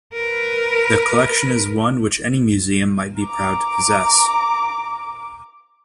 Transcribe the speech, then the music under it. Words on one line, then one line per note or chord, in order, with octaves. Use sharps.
The collection is one which any museum might be proud to possess.
A#4 B4
A#5 D6